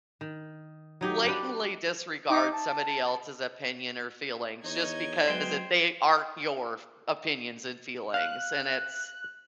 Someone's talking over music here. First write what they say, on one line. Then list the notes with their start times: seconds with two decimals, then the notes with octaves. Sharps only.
blatantly disregard somebody else's opinion or feelings, just because it they aren't your f opinions and feelings, and it's
0.21 D#3
1.01 F#3 D#4 G4
1.24 D4 G4 B4
2.29 D#4 D#5 D6
2.52 A5
4.64 E2 D#4 C#5 D#5 G#6
5.28 F#3 G#3 B3 C5 G5
8.14 F5 F#6